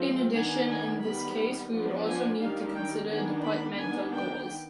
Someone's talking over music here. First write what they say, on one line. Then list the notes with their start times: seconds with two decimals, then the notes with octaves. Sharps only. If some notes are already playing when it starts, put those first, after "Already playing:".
In addition, in this case, we would also need to consider departmental goals.
Already playing: F3 G#3 C4
0.34 D#3 B3 D4 G#5
0.68 G#5
1.03 D#3 G3 B3 B5
1.71 F3 B3 D4
2.06 G#5
2.40 D#3 G3 D4 F5
2.75 G5
3.09 D#3 B3 D4 G#5
3.43 B5
3.78 D#3 B3 D4 G#5
4.12 G5